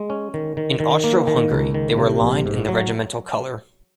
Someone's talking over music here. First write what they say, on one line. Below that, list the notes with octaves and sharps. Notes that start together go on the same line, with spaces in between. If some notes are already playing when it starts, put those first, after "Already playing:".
In Austro-Hungary they were lined in the regimental colour.
Already playing: G#3
C#4
D#3
D#3
D#3
A#3
D#3
C#2
D#3
C3
A#1
G#2
F#3